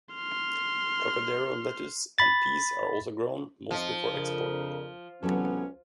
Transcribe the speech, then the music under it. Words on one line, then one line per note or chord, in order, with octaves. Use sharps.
"Trocadero" lettuce and peas are also grown, mostly for export.
C6 F6
B5 A6
F2 F3 D#4
F2 C#3 D4 A#4
C#2 C3 E3 F#3 B3 C#4 A4